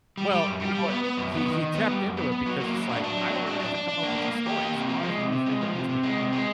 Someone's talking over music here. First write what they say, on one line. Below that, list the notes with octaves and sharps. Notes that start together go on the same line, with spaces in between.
Well, you know what? He he tapped into it because it's like, I don't really have to come up with these stories, all I have to do is read the newspaper.
G3
G3
F#2
G3
G3
B3
B3
F#2
B3
D#3
D#3
B3
G3
F#2
B3
B3
F#3
A#3
F#3
D4
D4
F#3
F#3
D4
D4
D4
D4
A#3
A#3
A#3
G4
A#3
C3
F3
G#3
C3
C3
G#3
F3
C3
C3
G#3
C3
G#3